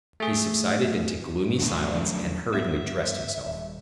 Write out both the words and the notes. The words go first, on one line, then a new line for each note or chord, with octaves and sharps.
He subsided into gloomy silence and hurriedly dressed himself.
A3 G#4
A#1 G2 D3 F#3 A3 B3
A#1 F#2
G2 B3 E5
D#1